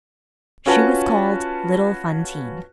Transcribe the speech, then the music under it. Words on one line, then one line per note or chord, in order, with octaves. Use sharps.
She was called little Fantine.
C#4 F4 F#4 B4 C#5 A5